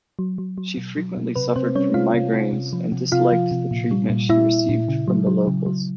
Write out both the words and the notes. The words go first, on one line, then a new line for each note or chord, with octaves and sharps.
She frequently suffered from migraines and disliked the treatment she received from the locals.
F#3
F#3
F#3
B2
F#3
B2
C3 B4
C3 C4 C5
G3 C#4 C#5
C3 F4 F5
C3
C3
C3
F3
C3
C3 F4 F5
F3
C3
A#2
G3
A#2
A#2 E4 E5
A#2
A#2
C#3
F#3
F#3
C#3
F#3